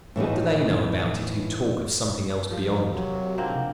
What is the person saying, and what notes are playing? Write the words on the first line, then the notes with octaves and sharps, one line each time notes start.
What do they know about it who talk of something else beyond?
A2 E3 A#3 D#4
F3 G4 A#4 F5
C3 F#3
G#2 F3 A#3 C4 D4 F#5